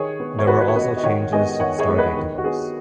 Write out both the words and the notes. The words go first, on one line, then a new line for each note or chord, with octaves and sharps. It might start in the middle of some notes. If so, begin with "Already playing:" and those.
There were also changes to the Stargate device.
Already playing: D#3 G#4 C#5
B3
C#5
D#3 F#4 B4
B4
C#5
B3 B4 D#5
D#5
D#3 C#5 F#5
G#3 B3 D#5 G#5
D#3 C#5 F#5
G#4 C#5
G#3 B3
B4 D#5
D#3
F#4
B3 G#4